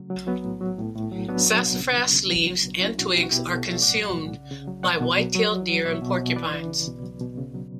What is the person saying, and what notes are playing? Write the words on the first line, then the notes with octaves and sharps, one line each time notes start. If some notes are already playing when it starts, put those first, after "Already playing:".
Sassafras leaves and twigs are consumed by white-tailed deer and porcupines.
Already playing: C#3 F#3 A3 C#4
F#3
F#3 B3
A2
F#3
A2
A2
F#3
F#3 B3 D4
F#3
B2
C#3
F#3
C#3
F#3
F#3
B2
F#3 C#4 E4
B2 D4 F#4
B2 E4 G4
F#4
B2 E4 G4
B2 F#4 A4
F#3 C#5 E5
A2 D5 F#5
F#3
A2
C#3
C#3
F#3
B2 D5 F#5
B2
F#3
F#3
F#3
F#3
B2 C#5 E5
B2
B2
E3 B4 D5
E3
C#3
B2
F#3
B2
C#3
F#3